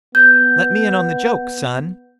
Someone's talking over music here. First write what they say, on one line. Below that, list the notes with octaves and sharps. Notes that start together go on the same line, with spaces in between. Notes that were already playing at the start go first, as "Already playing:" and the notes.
"Let me in on the joke, son."
B3 G6